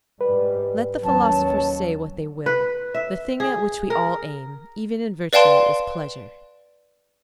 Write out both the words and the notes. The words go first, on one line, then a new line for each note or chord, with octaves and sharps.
Let the philosophers say what they will, the thing at which we all aim, even in virtue is pleasure.
G#2 G3 B4
D#2 F#3 C#4 A5
B4
E5
G#4
A#4
B4 D5 F5 G5 A5 C6